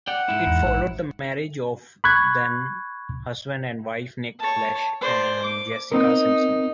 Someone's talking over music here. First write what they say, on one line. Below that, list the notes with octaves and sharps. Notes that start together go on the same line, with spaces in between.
It followed the marriage of then husband and wife Nick Lachey and Jessica Simpson.
D5 F#5 G5
G#2 E4
E2
A#1
B5 C#6 F#6 G#6
C#5 A5
C5 D5
D6
B3 C4 D#4 A#4